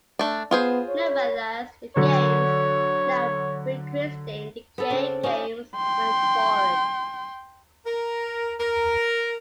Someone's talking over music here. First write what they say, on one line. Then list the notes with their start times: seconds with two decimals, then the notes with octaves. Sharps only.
Nevertheless, the games, now re-christened the "Gay Games," went forward.
0.19 A3 D4
0.51 B3 F4 G#4 C5
0.89 C#5
1.96 D3 F#3 C#5
4.78 B3 A4
4.90 C#3 C4 D4
5.23 C#4 D#4 F4 G4
5.76 G5 C6
7.86 A#4
8.60 A#4